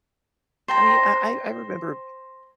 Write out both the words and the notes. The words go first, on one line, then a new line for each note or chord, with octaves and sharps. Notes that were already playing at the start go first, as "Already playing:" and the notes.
I mean, I I I remember
C5 G5 A#5